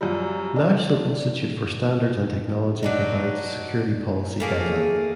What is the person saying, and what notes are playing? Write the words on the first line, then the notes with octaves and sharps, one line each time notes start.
National Institute for Standards and Technology provides a security-policy guideline.
F#2 F3 G3
D4
F#3 D4 D#4
A3 A#3 G#4